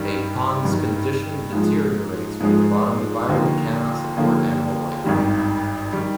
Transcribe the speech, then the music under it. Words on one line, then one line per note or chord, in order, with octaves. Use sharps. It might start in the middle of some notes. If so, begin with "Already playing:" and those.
A pond's condition deteriorates when the bottom environment cannot support animal life.
Already playing: G2 D#3 G3
G2 D#3 G3
G#2 F3 G#3
G#2 F3 G#3
D#2 D3 F3 A#3
D#2 D3 F3 A#3
G#1 G2 D#3 G3
D#3 G3